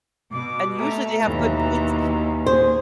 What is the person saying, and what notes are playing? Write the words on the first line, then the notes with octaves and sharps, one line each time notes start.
and usually they have good points
B2 D6
A3 A#5
D#2 B2 E3
G#4 C5